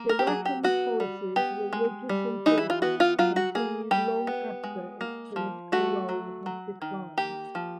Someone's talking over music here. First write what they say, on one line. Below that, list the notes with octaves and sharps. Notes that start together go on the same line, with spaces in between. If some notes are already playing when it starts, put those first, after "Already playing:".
Hierakonpolis’s religious importance continued long after its political role had declined.
Already playing: A#3
A#4
G4
F#3 G#4
G4
B3 F#4
G3
B3 G4
G#3
G3
E3 D#4
E4
F4
B3 F#4
F4
F#3 F4
F#4
A#3 G#4
G3 G4
B3
G#3
A#3
F3
A3 F#4
F#3
F#3
D#3
A#3 G4
F3